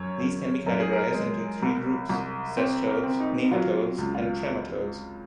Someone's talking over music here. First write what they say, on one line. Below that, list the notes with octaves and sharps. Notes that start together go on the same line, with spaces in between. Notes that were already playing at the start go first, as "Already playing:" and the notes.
These can be categorized into three groups; cestodes, nematodes and trematodes.
Already playing: F#2 C#5
F#2
F#2 A#4
G#4
A#4
G#3
C2
C2
C4 C5
A#4
C4
D#4
F#3 F4
C#2
F4